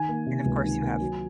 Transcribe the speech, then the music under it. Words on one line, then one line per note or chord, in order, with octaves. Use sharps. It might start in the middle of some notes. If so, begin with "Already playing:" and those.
and, of course, you have
Already playing: D#3 G#5
A#3
C3
C#2
D#3
A#3
F#3